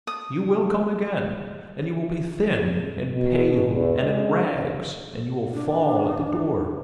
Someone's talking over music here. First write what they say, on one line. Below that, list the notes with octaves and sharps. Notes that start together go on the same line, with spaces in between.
You will come again, and you will be thin and pale and in rags, and you will fall at the door.
D#6
B2
E2
G#3
D4